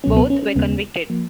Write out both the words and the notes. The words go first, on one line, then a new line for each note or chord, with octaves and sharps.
Both were convicted.
C#2 B2 F#3 B3 C#4
B3
C#4
C#4
D#2 C#3 G#3 B3
F3 A#3